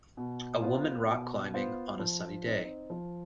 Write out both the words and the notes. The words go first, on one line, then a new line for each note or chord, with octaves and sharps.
A woman rock climbing on a sunny day.
B2
B3 F4 C5
B2
B3 F4 C5
F3
C4 D#4
F3